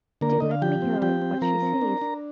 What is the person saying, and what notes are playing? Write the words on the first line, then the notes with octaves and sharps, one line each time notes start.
Do let me hear what she says.
D3 A#3 A#4
D3 D#5
F5
F3 G4 G5
C4
F3 G4 G5
C4
F3 A#4 A#5
C4
D4
D4